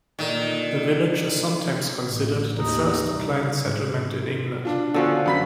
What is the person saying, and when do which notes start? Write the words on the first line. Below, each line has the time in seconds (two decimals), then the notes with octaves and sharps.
The village is sometimes considered the first planned settlement in England.
0.19 A#2 D3 D#3
2.06 A1
2.55 D#2 D#4
3.06 C2
3.60 G#2
4.65 D4 F4
4.94 B2 D3 F3 C#4
5.26 F#2 B5 B6